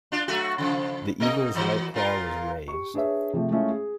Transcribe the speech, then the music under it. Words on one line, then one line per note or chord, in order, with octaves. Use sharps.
The eagle's right claw was raised.
D4 F4
F#3 A3 F#4
C#3 F3
C3 A#4 D#5
E3 F#3
A#2 F4 A#4
G4 C#6
D4 G#4 B4 C#5 E5
C3 F3 A3
G#3 A3 C#4 E4 F4
G#4